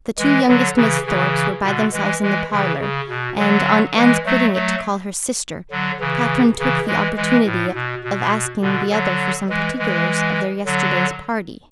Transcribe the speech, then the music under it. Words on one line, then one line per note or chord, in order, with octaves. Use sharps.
The two youngest Miss Thorpes were by themselves in the parlour; and, on Anne's quitting it to call her sister, Catherine took the opportunity of asking the other for some particulars of their yesterday's party.
E3 G#3
D3 F#3
C#3 E3
C#3 E3
B2 D3
E3 G#3
E3 G#3
C#3 E3
C#3
B2
D3 F#3
E3 G#3
F#3 A3
F#3 A3
D3 F#3
C#3 E3
C#3 E3
E3 G#3
E3 G#3
A2
B2
B2
B2 D3
D3 F#3
E3 G#3
E3 G#3
D3 F#3